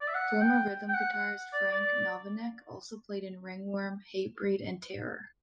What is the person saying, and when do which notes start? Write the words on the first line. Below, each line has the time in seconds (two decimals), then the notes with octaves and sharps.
Former rhythm guitarist Frank Novinec also played in Ringworm, Hatebreed, and Terror.
0.01 D5
0.07 E5
0.14 F#5
0.41 G5
0.88 G5
0.94 F#5
1.13 F#5
1.53 D5
1.72 D5